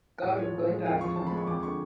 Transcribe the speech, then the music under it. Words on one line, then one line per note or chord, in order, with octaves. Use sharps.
God we're going to have fun.
A2
F3 C#5
A2
G#3
F2 F5
F3 C#6
F2 A5
B5
G#3
C#6
F2 D6
D3 C#6